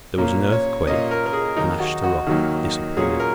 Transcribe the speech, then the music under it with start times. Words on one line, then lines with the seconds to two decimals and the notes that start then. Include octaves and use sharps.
There was an earthquake, and Ashtaroth disappeared.
0.18 A#2 A#3 C#4
0.52 C#5
0.87 A#2 A#3 C#4 D#5
1.11 A#4
1.26 A#4
1.33 G#4
1.57 D#2 D#3 F#3 A#3 D#4
1.80 F#4
2.04 F#4
2.27 D#2 D#3 F#3 A#3 D#4
2.97 A#2 F#3 C#4 G#4
3.20 A#4